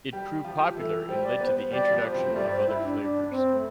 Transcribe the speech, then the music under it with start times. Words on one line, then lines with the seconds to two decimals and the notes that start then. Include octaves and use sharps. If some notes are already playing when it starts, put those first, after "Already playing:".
It proved popular and led to the introduction of other flavors.
0.13 G3 G4
0.44 F3 F4 G4
0.76 E3 E4 A4
1.09 G3 G4 C5
1.24 D5
1.39 B3 B4 C5
1.55 C5
1.71 G3 G4 D5
1.92 F3 F4
2.04 C5
2.14 C3 C4
2.27 A3
2.35 G2 G3 D5
2.51 C5
2.67 E4
2.84 D4
2.98 D4
3.30 C4
3.52 A3